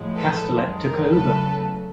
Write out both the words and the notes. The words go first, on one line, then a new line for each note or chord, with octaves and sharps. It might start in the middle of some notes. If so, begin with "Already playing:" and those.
Castellet took over.
Already playing: A2 F3 G#3
A4 B4
F#2 D#3 G#3
A#4
E2 C#3 F#3 A3 A4 B4